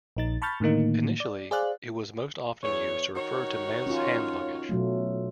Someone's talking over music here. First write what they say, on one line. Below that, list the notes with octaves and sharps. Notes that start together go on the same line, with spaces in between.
Initially, it was most often used to refer to men's hand-luggage.
A#1 D#4 A6
A5 B5 C#6 F6 G6 A6
A2 D3 D#3 A#3 D#4
D5
G#4 C5 D5 F5 F#6
E2 C#5
D#3 F#4 C#5
C#4 D#4 F4
B2 F#3 A3